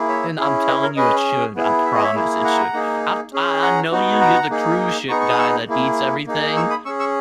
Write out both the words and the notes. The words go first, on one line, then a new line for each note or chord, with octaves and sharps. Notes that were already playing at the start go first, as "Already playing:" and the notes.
And I'm telling you, it should, I promise it should. I t I I know you, you're the cruise ship guy that eats everything
Already playing: A#3 E4 G#4
C#5 E5
C#4 E4 G#4
B4 D#5
A#4 C#5
C#4 G#4 B4 D#5
B3 E4 G#4
E5
D#5
C#5 E5
A#3 E4 G#4
F#5 A#5
A#3 D#4 G#4
C#4 G#4
F#5 A#5
B3 D#4 F#4
F#5 A#5
A#3 D#4 G#4
B3 D#4 G#4 A#5 C#6
C#6
D#6
C#6 E6
A#3 E4 G#4
A#3 D#4 G#4
C#6 E6
B5 D#6
C#4 G#4 C#6 E6
C#6 E6